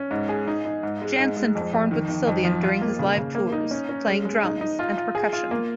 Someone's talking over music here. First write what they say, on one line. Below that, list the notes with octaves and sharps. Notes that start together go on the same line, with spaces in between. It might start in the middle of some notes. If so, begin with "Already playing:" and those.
Jansen performed with Sylvian during his live tours, playing drums and percussion.
Already playing: C#4
G#2
G#4
D#4
D#4
G#2
G#3
G#2
G#3
F2
F2
D#3
D#3
F2
F3
F4
A#3
C#3
C#3
A#3
D#4
C#4
C#4
G#3
G#3
D#4
D#4
F4
F4
G#4
F4
A#3